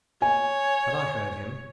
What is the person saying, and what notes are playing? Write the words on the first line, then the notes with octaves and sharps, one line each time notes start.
Had I heard him?
C#5 G#5